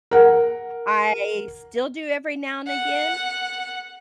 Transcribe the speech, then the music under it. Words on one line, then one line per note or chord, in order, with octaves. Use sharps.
I still do every now and again,
A#4 F#5
F#5